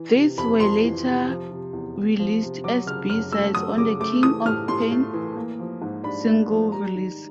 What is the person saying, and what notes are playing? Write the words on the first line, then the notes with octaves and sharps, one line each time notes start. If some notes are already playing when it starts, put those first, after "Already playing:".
These were later released as B-sides on the "King of Pain" single release.
Already playing: E3
C3
F2 B5
F2 C6
E3
C3
F3
C3
E2
E2
F3
C3
F#3 D6
C#3 F6
F#2 F6
A3 E6
F#3 D#6
C#3 D6
A3 D6
E3 D#6
A2 F6
A2 C6
A3
E3
A#3
F3
G#2
D4 B5
A#3
F3
G3 A#5
D#3